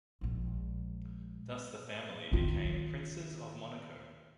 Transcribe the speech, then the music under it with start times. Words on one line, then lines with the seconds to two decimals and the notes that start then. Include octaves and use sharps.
Thus the family became Princes of Monaco.
0.21 A#1 G#3
2.32 D#3 F4